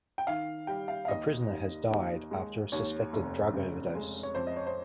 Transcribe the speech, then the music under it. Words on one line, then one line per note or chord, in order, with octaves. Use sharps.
A prisoner has died after a suspected drug overdose.
G5
D#3 F5
G3 G5
F5
F5
D#2 D#5
D#2
D#2
G#3
D#2 C#5
F1
C#3
G#3
C#5
F2 C5
D#5
C#5
C5